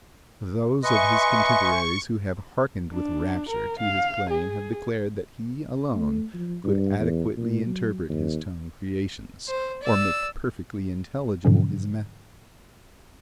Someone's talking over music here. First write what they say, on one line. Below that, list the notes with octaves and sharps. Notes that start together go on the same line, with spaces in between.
Those of his contemporaries who have harkened with rapture to his playing have declared that he alone could adequately interpret his tone-creations, or make perfectly intelligible his method.
B4 D#5 E5 G#5 C6 C#6
D4
A#4
F5
G#4
A3
F3
G2
E2
A#2
F#3
D#2
C5
D5 E6
G#2 B2 D3 F3 F#3 C#4